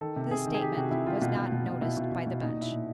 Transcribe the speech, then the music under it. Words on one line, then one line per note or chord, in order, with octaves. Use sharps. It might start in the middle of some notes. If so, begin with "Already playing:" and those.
This statement was not noticed by the bench.
D#3 A4
C3
C3 G#4
D#3
G#4
D#3 G4
C3 F#4
C3 E4
D#3 F4
B2 F4
B2
B2
B2
B2 E4
B2
B2
B2
A#2 D#4
A#2 E4
A#2